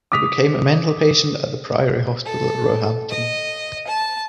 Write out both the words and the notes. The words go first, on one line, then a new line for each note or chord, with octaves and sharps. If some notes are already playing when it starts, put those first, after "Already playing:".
He became a mental patient at the Priory Hospital, Roehampton.
D6 D#6 B6 F7
A4
D#5
A5